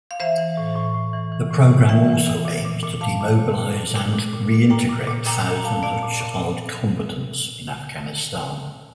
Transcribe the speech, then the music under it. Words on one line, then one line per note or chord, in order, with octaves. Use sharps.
The programme also aims to demobilise and reintegrate thousands of child combatants in Afghanistan.
F5
E3 C5 E5
E3
A2
A2
A2
E3
E3
A2
E3
E3 E5 G5
E3
E3
A#2
A#2
A#2
A#2 F5 A5
A#2
A#2
A#2
A#2
A#2
A#2
A#2
A#2
A#2 G5 A#5
A#2
A#2
A#2 G5 A#5
A#2
A#5
A#2 F5 A5
A#2 D5 F5
A#2
A#2